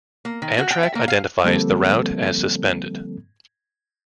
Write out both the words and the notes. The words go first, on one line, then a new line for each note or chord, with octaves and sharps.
Amtrak identifies the route as suspended.
A#3
D#3
F#4
G5
E5
A#3
F5
D3 F3 G3 A#3 C4 A4